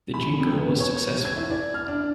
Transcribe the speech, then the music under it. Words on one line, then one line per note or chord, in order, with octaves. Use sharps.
The jingle was successful.
B5
F2
B3
C#5
G#6
E4
D5
F6
D4